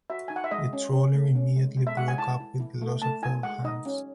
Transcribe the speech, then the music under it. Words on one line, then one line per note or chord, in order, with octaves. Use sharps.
The trawler immediately broke up with the loss of all hands.
F#4 E5
D#4 G#5
F#5
E5
G#3 D#5
C#4
C#4
A3
C#4
G#3
G#3
E5
G#3 F#5
G#5
E4 A5
E4
E4
A3
A3 A5
E4 G#5
G#3 F#5
D#4 D#5
C#4